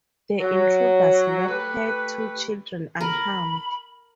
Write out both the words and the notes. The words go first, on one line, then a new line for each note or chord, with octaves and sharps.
The intruders left her two children unharmed.
F#3
A3 G4 B4
A#4 B5